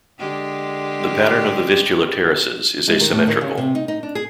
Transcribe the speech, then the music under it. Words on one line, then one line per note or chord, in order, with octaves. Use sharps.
The pattern of the Vistula terraces is asymmetrical.
D3 G#3 G4
G#3
D#3
A2
D#3
C#3
C3
D#4
D#4
D4
G#4